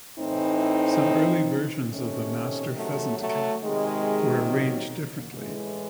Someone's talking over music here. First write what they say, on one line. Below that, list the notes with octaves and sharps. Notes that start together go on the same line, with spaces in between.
Some early versions of the "Master Pheasant Cap" were arranged differently.
A2 E3 C4 D#4
C3 D#3 A3 C#4
F#3 A3
F#3 A3
C3 D#3 G#3
F#3
A2 E3 G#3